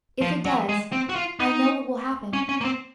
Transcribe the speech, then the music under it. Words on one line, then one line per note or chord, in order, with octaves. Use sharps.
If it does, I know what will happen.
F3
F#3
G#3
C4
F#4
F4
D#4
C#4
C#4
A#3
C4